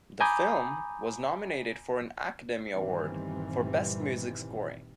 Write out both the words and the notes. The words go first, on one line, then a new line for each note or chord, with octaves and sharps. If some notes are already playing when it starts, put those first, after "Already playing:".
The film was nominated for an Academy Award for Best Music Scoring.
G#5 A#5 B5 D6 D#6 G6
G1 A#2 D#3 E3 G3 C4